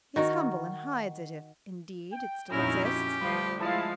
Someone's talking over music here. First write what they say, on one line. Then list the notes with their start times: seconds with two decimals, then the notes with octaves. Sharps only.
He is humble and hides it, if, indeed, it still exists.
0.16 D#3 F#4 A#4
2.13 G5
2.52 F2 A#2 F#3 C#4 D#4 E4 A#4
2.84 G4
3.20 D3 F3 G3 A3 B4
3.60 F3 G#3 E4 F5 A5